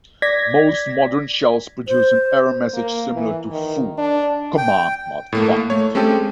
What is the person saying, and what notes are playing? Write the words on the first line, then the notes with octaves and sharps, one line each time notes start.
Most modern shells produce an error message similar to "foo: command not found".
D5 G#6 A#6 B6
C5
A#3
E3
D#3
D4
G5
A2 A3 A#3
A3 C#5
G#3 A3 C4 C#4 G4 A4